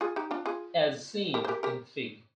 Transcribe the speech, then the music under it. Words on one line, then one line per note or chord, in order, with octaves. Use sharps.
As seen in Fig.
F4 G#4
D#4 G4
D4 F4
F4 G#4
G4 A#4
C5
G4 A#4
G4 A#4